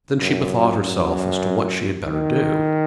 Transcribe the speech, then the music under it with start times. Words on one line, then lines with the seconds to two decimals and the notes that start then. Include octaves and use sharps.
Then she bethought herself as to what she had better do.
0.21 F#2
0.83 F#2
2.07 D#3